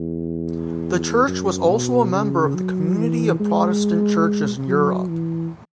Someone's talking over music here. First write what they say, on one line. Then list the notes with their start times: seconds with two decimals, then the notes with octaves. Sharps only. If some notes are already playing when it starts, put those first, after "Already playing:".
The church was also a member of the Community of Protestant Churches in Europe.
Already playing: E2
1.27 F#2
1.70 B2
2.13 C#3
2.55 F#3
2.97 E3
3.40 G#3
4.67 F#3
5.09 E3